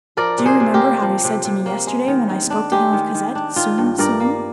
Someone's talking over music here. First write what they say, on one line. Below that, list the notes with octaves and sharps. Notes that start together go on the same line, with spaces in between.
Do you remember how he said to me yesterday, when I spoke to him of Cosette, Soon, soon?
F3 A#4 D5
C3
G#4 C5
C3
G4 A#4
A#3
F3
C3
C3
A#3
G#3
D#3
D#3
D4
G#3 G4
D#3
D#3
D4
D#3 F4
G2
G2 A#4 D5
A#3